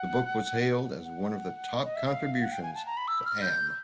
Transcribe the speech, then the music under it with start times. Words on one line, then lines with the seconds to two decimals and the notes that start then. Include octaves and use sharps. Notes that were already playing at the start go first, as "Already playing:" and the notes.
The book was hailed as one of the top contributions to Am.
Already playing: F#5
1.05 F#5
1.84 D#5
1.96 E5
2.07 F5
2.41 F#5
2.52 G5
2.63 G#5
2.75 A5
2.86 A#5
2.97 B5
3.08 E6
3.25 F6
3.42 G6